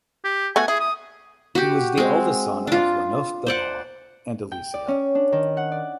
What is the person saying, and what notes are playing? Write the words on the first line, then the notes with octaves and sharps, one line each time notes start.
He was the eldest son of Ranulf de Vaux and Alicia.
G4
A3 B3 F#4 G#5
E4 G#4
D#6
F#4 G4
G#3 C4
D4 F4
C5 D5 F#5
G5
D5
C#4
D4
D#3
F#5
D5